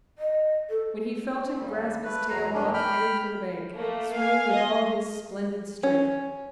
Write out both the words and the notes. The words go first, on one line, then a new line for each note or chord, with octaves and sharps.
When he felt him grasp his tail, Buck headed for the bank, swimming with all his splendid strength.
D#5
A4
D#2 G3
A3 B4
E2 F#3 A#5
F#2 B2 D#3 C#4 D4
G5 B5 F6
A3 A#3
F5 G#5
D#5
C#4